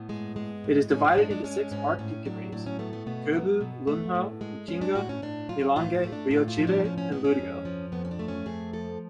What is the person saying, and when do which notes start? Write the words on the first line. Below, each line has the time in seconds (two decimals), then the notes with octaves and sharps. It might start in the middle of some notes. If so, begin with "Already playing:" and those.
It is divided into six archdeaconries: Cobue, Lunho, Lichinga, Milange, Rio Chire and Lurio.
Already playing: A2 B3
0.09 G#3
0.36 G#3
0.64 A2
0.90 G#2 C#4
1.04 F4
1.18 G#3 D4
1.31 D4
1.44 G#3 C#4
1.71 G#2 C#4
1.99 A2 C#4
2.25 F#3 D4
2.52 A2 D4
2.66 C#4
2.79 A3 B3
2.93 B3
3.06 B2 B3
3.33 F#3
3.61 B2
3.87 A3
4.15 A2
4.41 G#3
4.68 G#3 C#4
4.81 D4
4.95 A2 F#4
5.09 C#4
5.22 A2 D4
5.49 F#3 F4
5.76 A2 F4
5.95 F4
6.04 A3
6.12 D4
6.31 A2 F4
6.48 F4
6.58 F3
6.67 D4
6.84 A2 C#4
6.98 C#4
7.11 G#3 B3
7.24 C#4
7.39 F2
7.65 F3
7.92 F2 B3
8.05 C#4
8.11 D4
8.19 A3
8.28 C#4
8.46 F2 G#4
8.73 F3 A4